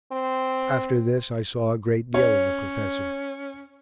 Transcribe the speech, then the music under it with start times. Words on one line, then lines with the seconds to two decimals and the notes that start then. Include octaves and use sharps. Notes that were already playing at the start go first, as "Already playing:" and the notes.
After this I saw a great deal of the professor.
0.12 C4
2.14 C#4 C#5